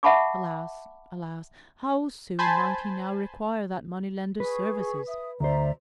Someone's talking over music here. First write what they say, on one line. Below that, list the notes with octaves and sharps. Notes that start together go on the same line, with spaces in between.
Alas! alas! how soon might he now require that money-lender's services!
E5 F#5 A5 B5 C#6 D6
C5 G#5 A5 B5 C6
G#4 B4 C#6
E5 D#6
D2 C5 D5 E5 A#5